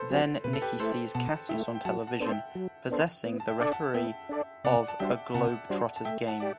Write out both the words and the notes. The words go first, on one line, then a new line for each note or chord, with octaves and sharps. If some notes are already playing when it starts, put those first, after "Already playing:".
Then Nicky sees Cassius on television, possessing the referee of a Globetrotters game.
Already playing: A4 B4 C5
F#3 C4 G4
B2 B4
A4
G4 B4
A3 E4 A4 C5
B2 F#5 A5
A3 E4 E5 G5
G5
F#3 F#5 A5
F#5 A5
B3 D4 A4 C5
E5 G5
F#3
B3 D4 A4 C5
B3
A5
E5 G5
D4 A4 D5
F#5 A5
B3 E5 G5
D4 A4 D5
C3 D5 F#5
A5
G3 D4 F#4 C5 E5 G5
C3 F#5 A5
G3 D4 F#4 C5
A5
A3 E5 G5
F#5 A5
G4 D5